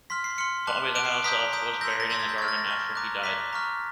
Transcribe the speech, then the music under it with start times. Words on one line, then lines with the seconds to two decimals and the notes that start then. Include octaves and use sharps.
Dobby the house-elf was buried in the garden after he died.
0.10 C6 F6 B6
0.24 C7
0.38 C6 F6 C#7
0.67 A5 D6 F#6
0.95 A5 D6 F#6 D7
1.05 C7
1.24 A#5 D#6 G6 B6
1.53 A#5 D#6 G6
1.81 C6 E6 G6 A#6
1.90 B6
2.00 A#6
2.10 C6 E6 G6 A6
2.19 G#6
2.29 G6
2.38 C#6 G#6
2.42 F6
2.48 A6
2.57 A#6
2.67 C#6 F6
2.95 A#5 D6 F#6
3.23 A#5 D6 F#6 B6
3.53 A#5 C#6 F6